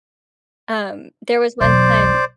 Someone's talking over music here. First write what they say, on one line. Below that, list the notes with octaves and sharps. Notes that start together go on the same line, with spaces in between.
Um, there was one time
B1 E2 C5 D5